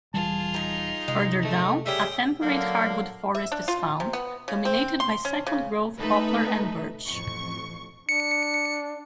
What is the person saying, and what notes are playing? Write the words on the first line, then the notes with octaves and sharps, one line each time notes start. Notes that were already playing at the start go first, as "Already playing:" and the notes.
Further down, a temperate hardwood forest is found, dominated by second-growth poplar and birch.
D#1 E3 G3 F4 G#4 A5
D#4 A#5
C3 G#3
A3
C#3 G3 C#4 E5 G5 D#6
D3 F#3 A#3 F5
E5
D4
F4
C3
B3
C#3
C4
C6
C#4
C#3
A3 D#4 A4 B4 E5
A1 F2 C#6
D4 C#7